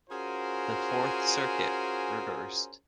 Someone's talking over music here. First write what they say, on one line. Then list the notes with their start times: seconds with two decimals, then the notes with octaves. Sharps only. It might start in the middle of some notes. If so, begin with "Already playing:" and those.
The Fourth Circuit reversed.
0.10 C#4 F4 F#4 G#4 A#4 C5